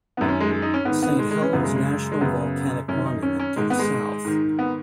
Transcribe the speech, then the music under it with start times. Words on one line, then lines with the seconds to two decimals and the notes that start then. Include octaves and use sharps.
Saint Helens National Volcanic Monument to the south.
0.17 F#2 D#3 B3
0.28 C#4
0.40 G#3
0.51 G#3
0.62 D#4
0.74 C#4
0.85 G#2 D#3 B3
1.03 B3
1.19 G#3
1.31 G#3
1.42 C#4
1.53 F#2 C#3 B3
1.64 G#3
1.76 G#3
2.12 G#3
2.21 F#2 C#3 B3
2.88 F#2 D#3 C#4
3.06 D#4
3.22 C#4
3.39 C#4
3.56 G#2 D#3 G#3
3.70 B3
3.79 G#3
4.25 G#2 D#3
4.59 B3